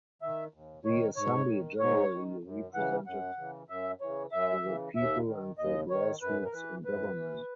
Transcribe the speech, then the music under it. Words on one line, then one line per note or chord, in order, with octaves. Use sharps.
The assembly generally represented the people and the grassroots in government.
D#3 E5
D#2
D#3 C#5
G#2 C#5
D#3
G#2 C#5
D#3
F#2
C#3 E3 F#5
F#2 F#5
C#3 E3
F#2 E5
C#3 E3 C#5
F#2 E5
C#3 E3
D#2 E5
D#3
D#2 D#5
D#3 C#5
F#2 B4
A#4
E3 B4
F#2 B4
E3